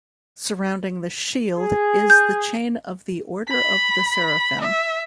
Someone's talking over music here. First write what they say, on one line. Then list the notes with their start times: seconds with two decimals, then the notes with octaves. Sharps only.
Surrounding the shield is the chain of the Order of the Seraphim.
1.55 G#4
2.10 G6
3.49 B5
4.61 E5